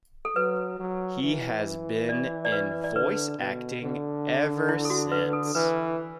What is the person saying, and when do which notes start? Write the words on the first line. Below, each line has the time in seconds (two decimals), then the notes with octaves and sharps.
He has been in voice acting ever since.
0.25 A4
0.36 F#3 B4
0.80 F#3
1.23 E3
2.09 D5
2.45 D5
2.52 B4
2.84 D5
2.95 D3 B4
3.39 B2
3.82 D3
4.69 E4
4.85 A4
4.90 F#4
5.12 B4
5.33 A4
5.55 E3 B4